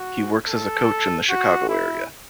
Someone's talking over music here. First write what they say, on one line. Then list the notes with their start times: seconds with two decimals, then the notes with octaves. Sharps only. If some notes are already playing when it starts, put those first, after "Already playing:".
He works as a coach in the Chicago area.
Already playing: F#4
0.47 A4
1.29 F#4
1.69 E4